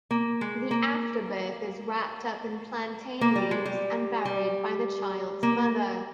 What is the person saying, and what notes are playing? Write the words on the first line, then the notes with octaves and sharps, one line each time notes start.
The afterbirth is wrapped up in plantain leaves and buried by the child's mother.
A#3
G#3
A#3
A#3
G3
G#3
G3
G3
A#3